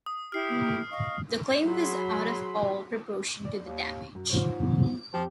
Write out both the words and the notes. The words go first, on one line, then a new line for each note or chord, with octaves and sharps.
The claim was out of all proportion to the damage.
D#6
E4 G4 F6 C7
D#5 F5 C#6
F#3 G#4 B5 C6
D5
D#2
F#2
G#2 F4 C5 C#5
F2 F3 G4